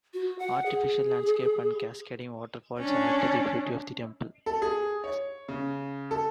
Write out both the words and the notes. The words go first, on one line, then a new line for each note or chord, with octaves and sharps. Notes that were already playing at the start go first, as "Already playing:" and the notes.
Artificial landscape and cascading waterfalls add to the beauty of the temple.
F#4
F#5
G#4
C#4 D4
A4
G#4
C#5
C#3
A4